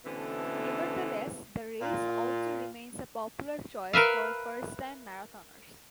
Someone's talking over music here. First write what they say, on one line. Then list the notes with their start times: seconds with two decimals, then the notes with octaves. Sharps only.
Nevertheless, the race also remains a popular choice for first-time marathoners.
0.05 B2 D3 E3 A3 C4 C#4
1.81 A#2 F4
3.93 A#4 B4 E5 F5